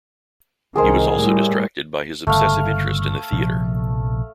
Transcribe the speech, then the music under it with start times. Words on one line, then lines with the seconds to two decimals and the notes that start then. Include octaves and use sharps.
He was also distracted by his obsessive interest in the theater.
0.76 C2 D#3 G#4 A#4 C5
1.15 A2 G3
2.27 G1 C#3 A3 F5
3.32 A#1 C3 F3